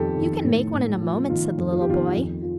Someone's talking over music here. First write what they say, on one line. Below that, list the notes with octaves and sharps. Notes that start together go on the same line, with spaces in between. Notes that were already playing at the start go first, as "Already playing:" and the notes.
"You can make one in a moment," said the little boy.
Already playing: F2 D#3 G4 A4
D#3
A2
A2
F3
D#3 F4
F2
F4
G4
D#3 F4
F2
F3